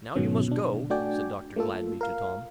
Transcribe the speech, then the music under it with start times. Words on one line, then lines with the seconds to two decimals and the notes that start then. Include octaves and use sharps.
"Now you must go," said Dr. Gladby to Tom.
0.15 G#2 B2 D#3 F#3 B3 C#4
0.48 B2 D4
0.90 A3 D4 F#4 D5 G5 G#5
1.56 A3 A#3 F4 A4
2.01 A#4 F5